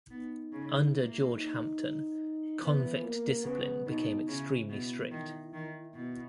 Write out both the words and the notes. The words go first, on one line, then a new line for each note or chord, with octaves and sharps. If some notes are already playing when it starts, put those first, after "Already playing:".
Under George Hampton, convict discipline became extremely strict.
B3 D#4
C#3
A#3 E4
D#4
E3 B3
A#3
C#3 B3
B2 D#4
C#3 E4
B2
D#3
D#3
B2